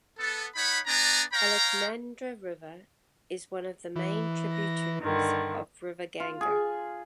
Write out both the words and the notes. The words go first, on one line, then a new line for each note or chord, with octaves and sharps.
Alaknanda river is one of the main tributaries of river Ganga.
B3 A4
D#4 C#5 F#5 B5
B3 D4 D5 G#5 A#5
C#5 F5 G5 A#5
E3
A#6
G2 D3 D#3
F4
G#4